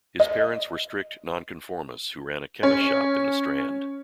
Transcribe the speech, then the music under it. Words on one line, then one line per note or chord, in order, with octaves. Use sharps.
His parents were strict non-conformists who ran a chemist's shop in the Strand.
D#5
C#4